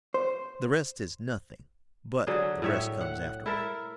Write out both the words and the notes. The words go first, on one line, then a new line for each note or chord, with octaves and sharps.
The rest is nothing, but the rest comes afterwards.
C5
D3 F#3 G#4
A2 C#5 E5
F#5
E4 A4 A#4 E5